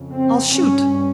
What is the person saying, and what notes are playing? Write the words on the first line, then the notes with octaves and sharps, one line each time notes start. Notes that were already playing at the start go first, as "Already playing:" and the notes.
I'll shoot!
Already playing: F2 C#3
C4
G2 C#4